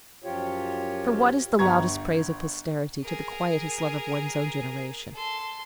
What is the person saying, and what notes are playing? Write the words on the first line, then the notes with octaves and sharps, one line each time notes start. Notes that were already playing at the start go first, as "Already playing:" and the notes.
For what is the loudest praise of posterity to the quietest love of one's own generation?
F#2 F3 F4 G4 C#5
G1 A#5 C#6 G#6
G#4 A#4
A4 C6